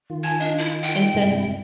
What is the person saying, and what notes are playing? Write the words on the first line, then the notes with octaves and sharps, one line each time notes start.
in sense?
D#3 F4
G#5 A5 G#6
D4 D#5
E4
G5
G2 C3 E4